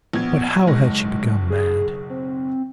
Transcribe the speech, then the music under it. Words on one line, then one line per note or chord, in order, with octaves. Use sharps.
But how had she become mad?
A#1 B3 G#6
F#1 B1 G#3 A#6
G#4
C4